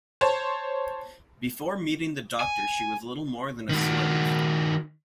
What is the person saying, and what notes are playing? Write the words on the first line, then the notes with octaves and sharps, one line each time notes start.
Before meeting the Doctor she was little more than a slave.
C5 C#5 A5
G#5
D#3 F#4